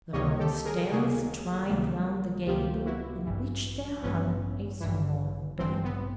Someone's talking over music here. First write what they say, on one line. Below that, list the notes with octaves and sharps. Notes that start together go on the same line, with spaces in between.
The long stems twined round the gable, on which there hung a small bell.
C#2 C3 D#3 G3 A#3 C#5 D#5
G4 A4
G#4 A#4
C#2 C3 D#3 G3 A#3 F#4 G#4
C#2 C3 D#3 G3 A#3
C#2 C3 D#3 G3 A#3 F4 G4
E4 F#4
A1 G2 E3
A1 G2 E3 B3 C#4
A1 G2 E3
A1 G2 E3 C4
B3